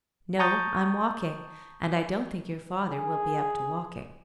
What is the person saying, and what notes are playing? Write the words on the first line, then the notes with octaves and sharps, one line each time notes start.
"No! I'm walking; and I don't think your father will be up to walking."
A5 A#5 C#6 D#6 G6 A6
G#4